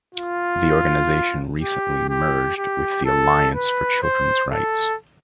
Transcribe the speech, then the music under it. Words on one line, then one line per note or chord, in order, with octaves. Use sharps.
The organization recently merged with The Alliance For Children's Rights.
F4
G4
G4
G4
A4
B4
C5
A4